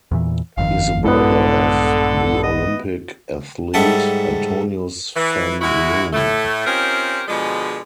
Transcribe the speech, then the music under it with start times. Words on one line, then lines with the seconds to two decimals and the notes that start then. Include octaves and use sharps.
He is the brother of the Olympic athlete Antonius van Loon.
0.11 E2 A#2 E3
0.57 G1 F2 D#3 F5
1.04 A#1 G2 D3 G#3 B3 E4 A4
2.43 D#5
3.74 G#2 G3 A4 E5 F#5 A5
5.16 E3
5.61 G#3 E4 F#4
6.13 A2 A3
6.66 C4 C#4 D#4 F4 G4 A#4
7.28 B2 D3 F3 G#3